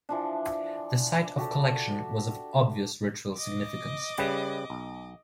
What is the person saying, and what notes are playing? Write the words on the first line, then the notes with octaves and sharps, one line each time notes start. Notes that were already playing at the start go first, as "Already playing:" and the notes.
The site of collection was of obvious ritual significance.
E3 F3 D4
F#4 G4 A4
D#5 D6
C#3 G3 B4
B1